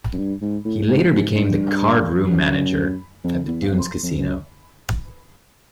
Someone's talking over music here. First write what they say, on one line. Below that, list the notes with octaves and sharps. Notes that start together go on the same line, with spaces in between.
He later became the card room manager at the Dunes casino.
F#2
G2
G#2
A2
G#2
G#2
G2
F#2
F2
E2
F2
F2
F#2